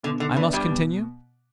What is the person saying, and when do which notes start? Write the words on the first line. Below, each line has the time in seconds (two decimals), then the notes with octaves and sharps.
I must continue?
0.03 B2 D3
0.20 D3
0.36 E3 B3 D4 B4
0.53 G2 G3
0.70 B2